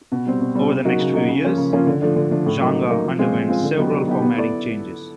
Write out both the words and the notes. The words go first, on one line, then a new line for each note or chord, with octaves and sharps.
Over the next few years, Xanga underwent several formatting changes.
B2
G3 C4
B2
G3 C4
C#3
F#3 A#3 D#4 F#4
C#3
F#3 A#3 D#4 F#4
C#3
F3 A#3 C#4 F4
C#3
F3 A#3 C#4 F4
D3
F3 A3 D4
D3
F3 A3 D4
A2
F#3 A#3 D#4
A2
F#3 A#3 D#4
F3
G#3 C4 F4
F3
G#3 C4 F4
D3
F#3 B3 D#4 G4
D3
F#3 B3 D#4 G4
B3
E4 A4 D5